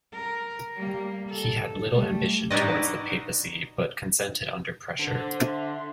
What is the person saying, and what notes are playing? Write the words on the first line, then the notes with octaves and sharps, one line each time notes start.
He had little ambition towards the papacy, but consented under pressure.
A#4
G3 A#3
A4
G3 A3
D#4 E4 F#4 D5 D#5
D3 C5
E5 C6